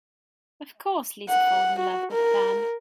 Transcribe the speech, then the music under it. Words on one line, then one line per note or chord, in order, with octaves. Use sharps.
Of course, Lisa falls in love with Van.
F#5
F#4
A#4